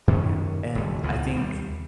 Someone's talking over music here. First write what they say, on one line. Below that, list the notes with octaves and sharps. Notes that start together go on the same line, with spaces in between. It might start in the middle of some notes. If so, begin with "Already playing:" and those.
Oh, yeah, and I think,
F#2 D#3 C4 C#4
F#1 D#2
C#2 B2 E3
D#2 G3